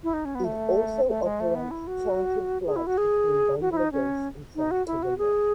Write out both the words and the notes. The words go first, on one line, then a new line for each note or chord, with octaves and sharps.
It also operates chartered flights between Bangladesh and South Korea.
E4
D#4
C#4
B3
A3
A3
G#3
A3
B3
E4
F#4
G#4
E4
F#4
G#4
F#4
E4
D#4
C#4
D#4
F#4
E4
F#4
G#4